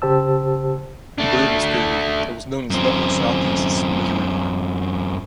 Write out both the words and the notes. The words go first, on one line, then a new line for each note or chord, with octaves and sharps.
During this period, it was known as Network SouthEast's "misery line".
C#3 G4 C5 A5 E6
A3 D4
F#2 C4